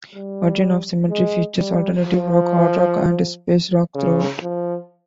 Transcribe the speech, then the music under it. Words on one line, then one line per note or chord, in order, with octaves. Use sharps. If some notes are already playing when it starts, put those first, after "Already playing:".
"Origin of Symmetry" features alternative rock, hard rock, and space rock throughout.
G3
G#3
G3
F3
C#3
F3